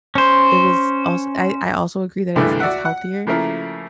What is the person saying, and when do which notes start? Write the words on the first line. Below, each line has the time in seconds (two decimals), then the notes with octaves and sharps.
it was als I I also agree that it's it's healthier,
0.15 C#4 C5
2.35 C2 G2 D3 E3 G#3 A3
2.60 F#4 D5 E5 F#5
2.85 F#5
3.27 C#3 F3 A3 A#3 E4 A#4